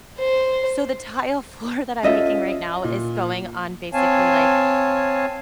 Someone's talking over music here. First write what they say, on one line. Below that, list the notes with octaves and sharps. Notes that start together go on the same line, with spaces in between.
So the tile floor that I'm making right now is going on basically, like,
C5
C#4 F4 A4 D#5 E5
A#2
C4 C#5 F5 G#5 A5